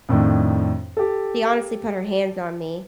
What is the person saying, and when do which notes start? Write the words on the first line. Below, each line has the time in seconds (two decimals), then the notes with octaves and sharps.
She honestly put her hands on me.
0.09 F2 A2 D#3 D4
0.97 G4 A4